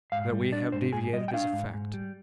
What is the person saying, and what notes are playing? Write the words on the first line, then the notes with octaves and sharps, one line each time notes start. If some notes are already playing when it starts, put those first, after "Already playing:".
That we have deviated is a fact.
G#2 F5
G3
D4 D5
G#2 C5
G#2 G#4
G3 D#5
G5
D4 F5
G#2
G#2
G3